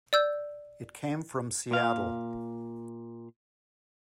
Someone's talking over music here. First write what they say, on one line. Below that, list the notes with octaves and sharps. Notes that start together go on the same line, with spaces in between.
It came from Seattle.
D5 E6 G6
A#2 F5